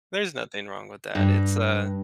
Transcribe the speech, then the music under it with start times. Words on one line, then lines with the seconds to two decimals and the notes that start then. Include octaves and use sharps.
there's nothing wrong with that. It's, uh,
1.15 G2